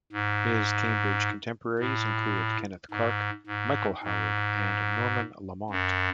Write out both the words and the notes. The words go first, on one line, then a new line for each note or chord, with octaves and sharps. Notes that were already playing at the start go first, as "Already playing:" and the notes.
His Cambridge contemporaries included Kenneth Clarke, Michael Howard and Norman Lamont.
G#2
A2
G#2
G#2
G#2
F#2